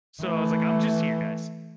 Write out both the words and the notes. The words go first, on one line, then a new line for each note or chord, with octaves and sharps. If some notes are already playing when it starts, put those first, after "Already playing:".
So I was like, "I'm just here, guys,"
E3 A3